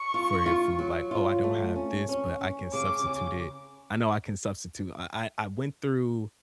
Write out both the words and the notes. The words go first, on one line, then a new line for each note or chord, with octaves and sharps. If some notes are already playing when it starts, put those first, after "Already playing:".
for your food? Like, "Oh, I don't have this, but I can substitute it I know I can substitute." I I I went through
Already playing: C#6
F4
F4
F#3
F4
A3
C#4
C#4
C#4
C#3 D6
C#3